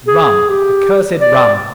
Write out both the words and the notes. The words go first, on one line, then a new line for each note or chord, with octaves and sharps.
RUM, accursed RUM!
G#4
G4
D5